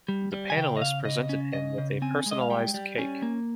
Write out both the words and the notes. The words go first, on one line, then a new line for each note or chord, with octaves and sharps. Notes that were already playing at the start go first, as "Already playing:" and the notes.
The panellists presented him with a personalised cake.
G3
G3
G#5
C#3 G5
D#5
C#3 F5
C#3 D#5
C#4
C#3 D#5
C#3
C4 G#5
G#3
D#5
F5
G3 G5
G3
C#4 G#5
A#3